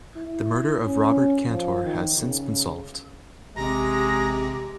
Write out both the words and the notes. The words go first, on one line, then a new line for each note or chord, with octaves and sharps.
The murder of Robert Cantor has since been solved.
E4
C#4
F3
D#3
C#3
A1 C3 G#3 C4 G4 A#5